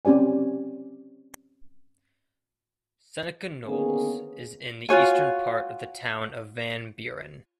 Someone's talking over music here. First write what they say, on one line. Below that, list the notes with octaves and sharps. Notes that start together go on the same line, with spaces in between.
Seneca Knolls is in the eastern part of the town of Van Buren.
C4 C#4 G4 D5 G#5
D3 D#3 A#3 B3 C#4 G#4
F4 F#4 C#5 G#5